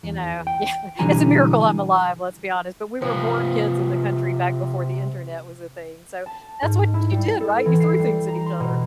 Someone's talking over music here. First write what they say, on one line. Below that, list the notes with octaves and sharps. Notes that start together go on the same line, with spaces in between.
you know Yeah, it’s a miracle I’m alive, let's be honest, but we were bored kids in the country back before the internet was a thing, so that's what you did, right? You threw things at each other.
E2
G5
B1 D3 E3 G3 G#5 A#5
C3 F3 B4
A5
G#2
E4
G3
A4
E3
C7
G3
A#5
C6
B2